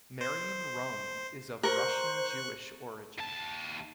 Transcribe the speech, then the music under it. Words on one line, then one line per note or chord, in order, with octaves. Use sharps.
Marion Rung is of Russian Jewish origin.
C5
A#4 C5 C#6 F#6
D#2 A5